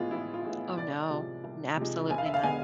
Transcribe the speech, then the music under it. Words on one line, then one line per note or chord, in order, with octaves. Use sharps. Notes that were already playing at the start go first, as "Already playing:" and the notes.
Oh, no, n absolutely not.
Already playing: A1 A2 G#3 B3 F4 G#4
A1 E4
F4
A2 G#3 B3
C2 D5
C3 F3 G#3
C2
C3 F3 G#3
E1 G#5
F5
E5
F5
D3 G#3 B3 G#5